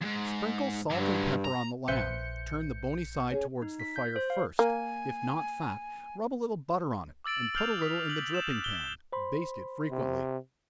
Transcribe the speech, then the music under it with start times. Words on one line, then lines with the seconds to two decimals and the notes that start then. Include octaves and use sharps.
Sprinkle salt and pepper on the lamb, turn the bony side towards the fire first; if not fat, rub a little butter on it, and put a little in the dripping pan; baste it frequently.
0.01 F2 G#2
0.90 G2 D3 F#3
1.45 A#5
1.88 A#1 B4 C5 E5 G6 C#7
3.31 C#4 G#4
3.62 D#4
3.80 B6
3.96 G6
4.16 C5
4.30 F5
4.59 A#3 G#5
7.24 D6 E6 A6 D7 F#7
7.54 E6 F6 G6 C7 F7
7.79 D#6 B6
8.10 F6 F#6 F#7
8.33 G6 E7 F#7
8.60 F#6 F7 G7
9.13 C5 B5 C6
9.91 C3